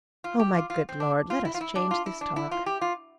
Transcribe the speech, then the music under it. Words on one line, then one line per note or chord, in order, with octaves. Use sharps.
Oh, my good Lord! let us change this talk....'
F4
G4
F4
F4
C4
D4
F4
E4
F4
E4
D4
F4
E4
D4
E4
F4
G4
F4